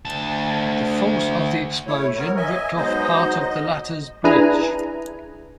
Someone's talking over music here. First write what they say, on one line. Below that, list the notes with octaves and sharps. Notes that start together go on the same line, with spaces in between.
The force of the explosion ripped off part of the latter's bridge.
D2 A5
A3 E4 C#5
B3 C4 A#4 C#5
D#5 E5 G#5
F#3 G#3 B3 D#4 C5 D#5
D#5
D4 E4 G#4 B4 G#5 A#5